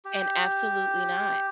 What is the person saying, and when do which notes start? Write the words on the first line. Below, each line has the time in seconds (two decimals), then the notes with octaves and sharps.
And absolutely not.
0.05 G4